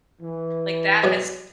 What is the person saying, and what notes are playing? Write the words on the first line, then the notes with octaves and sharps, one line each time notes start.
Like, that has
E3
B2 F#3 D5